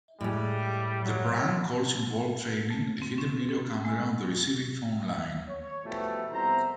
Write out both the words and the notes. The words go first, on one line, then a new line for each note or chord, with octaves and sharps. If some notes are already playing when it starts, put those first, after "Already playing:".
The prank calls involved training a hidden video camera on the receiving phone line.
A2 G3 G#3
F#3
A3
C4
C#4
A4
G#3
C#5
B2 E3 F3 G3 A3
C2 F2 B3 C5 E5 A#5